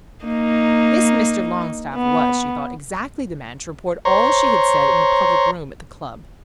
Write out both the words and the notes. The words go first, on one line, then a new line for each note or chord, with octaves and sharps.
This Mr. Longstaff was, she thought, exactly the man to report all she had said in the public room at the club.
A#3 D#4
B3
C5 C#5 A#5